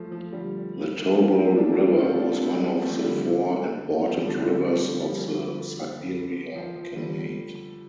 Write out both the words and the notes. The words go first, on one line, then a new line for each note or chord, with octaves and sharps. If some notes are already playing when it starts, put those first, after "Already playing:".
The Tobol River was one of the four important rivers of the Siberia Khanate.
Already playing: F3 A3
F3
D3 G3
F3 A3
G3 C4
A3 D4
A4
D4 G4
C4 F4
A3 D4
G3 C4
F3 A3
D3 G3
D3
F3
D3 G3
F3 A3
G3 C4
D3 G3
F3
D3
G3
F3
D3
F3
F3
D3 G3